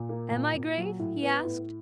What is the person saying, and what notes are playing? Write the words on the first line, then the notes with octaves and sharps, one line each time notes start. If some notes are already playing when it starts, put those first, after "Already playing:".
"Am I grave?" he asked.
Already playing: A#2
A#3
A#2
A#2
F#3
A2
B3
A2